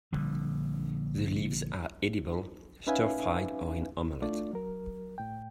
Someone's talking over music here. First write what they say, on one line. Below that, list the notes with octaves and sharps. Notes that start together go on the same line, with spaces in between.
The leaves are edible, stir-fried or in omelette.
A#1 D3 G3
C#4 D#4 B4 E5 F5 G#5
A3 D4 F4 D5
F#3 A#4
A2 G5